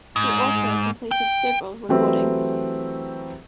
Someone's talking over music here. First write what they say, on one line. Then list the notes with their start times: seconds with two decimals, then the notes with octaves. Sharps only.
He also completed several recordings.
0.16 G#2
1.11 G5
1.89 E3 F#3 A3 C4 G4 B4